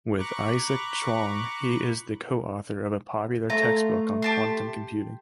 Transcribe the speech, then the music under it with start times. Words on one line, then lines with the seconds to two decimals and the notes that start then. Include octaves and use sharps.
With Isaac Chuang he is the co-author of a popular textbook on quantum computing.
0.19 A#5 B5 C#6 D6 F#6
3.50 A3 F4 A#5
4.22 G4 A5 C6